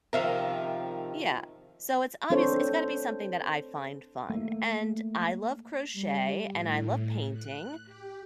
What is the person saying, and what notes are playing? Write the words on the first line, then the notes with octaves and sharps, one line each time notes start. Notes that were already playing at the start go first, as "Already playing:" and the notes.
Yeah, so it's obvious it's gotta be something that I find fun, and I love crochet, and I love painting,
C3 D#3 F3 A#4 E5 F5
C4 D4 A4 C5 C#5
A3 A#3
G3
A2
F#6
G4